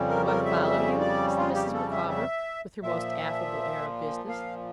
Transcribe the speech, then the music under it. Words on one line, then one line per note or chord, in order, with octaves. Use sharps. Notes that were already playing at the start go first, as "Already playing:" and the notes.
'Do I follow you?' said Mrs. Micawber, with her most affable air of business.
Already playing: F2 C#3 G3
A#4
A#4
E5
E5
D5
F4
G4
A4
E5
E5
A#2 F3 E5
F5